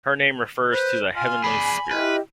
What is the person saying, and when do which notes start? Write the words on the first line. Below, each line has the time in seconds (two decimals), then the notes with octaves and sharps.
Her name refers to the Heavenly Spirit.
0.72 B4 C5
1.16 F4 G#5
1.44 G#4 D5 B5
1.91 E4 F4 G4 B4 D#5